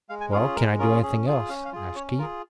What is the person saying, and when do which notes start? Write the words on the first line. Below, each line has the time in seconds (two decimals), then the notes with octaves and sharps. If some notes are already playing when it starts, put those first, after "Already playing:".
"Well; can I do anything else?" asked he.
0.09 G#3 F5
0.21 G#5
0.32 C#4 F4 G#4 F5
0.56 G#3 A#4
0.79 C#4 F4 G#4 A#4
1.02 C#4 G#4
1.26 F4 G#4
1.49 C#4 F5
1.65 F5
1.73 F4 G#4
1.95 C#4 C#5
2.19 F4 G#4 A#4